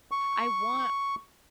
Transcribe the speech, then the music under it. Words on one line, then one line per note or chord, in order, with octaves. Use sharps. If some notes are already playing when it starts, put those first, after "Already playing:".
I want
C#6